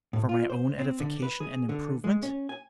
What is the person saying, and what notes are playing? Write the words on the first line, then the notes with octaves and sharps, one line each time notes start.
For my own edification and improvement?
A2
F4
C5
C4
D3
B4
G#4
D3
G#3
C#4
G#5